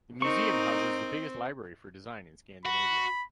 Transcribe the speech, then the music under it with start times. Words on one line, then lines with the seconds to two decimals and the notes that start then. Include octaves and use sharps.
The museum houses the biggest library for design in Scandinavia.
0.22 C4 D#4 A#4 C#6
2.65 F#4 B5